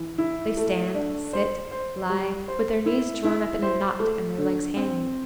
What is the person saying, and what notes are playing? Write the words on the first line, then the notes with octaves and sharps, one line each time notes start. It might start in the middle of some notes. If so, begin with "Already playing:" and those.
They stand, sit, lie, with their knees drawn up in a knot, and their legs hanging.
Already playing: E3
E4
A3
D4
C5
C5
G3
C5
E4
E4
C5
A3
D3
C4